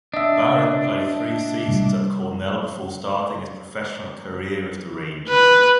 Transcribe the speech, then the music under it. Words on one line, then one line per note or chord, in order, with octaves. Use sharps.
Barron played three seasons at Cornell before starting his professional career with the Rangers.
D4 D#5 E5
C3 G3
B4